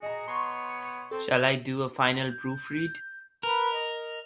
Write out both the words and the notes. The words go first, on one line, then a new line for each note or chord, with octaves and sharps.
Shall I do a final proof read?
F#4 G#4 D#5 A#5
B3 C#5 C6 C#6
C4 A4
G6
A#4 B4
D#5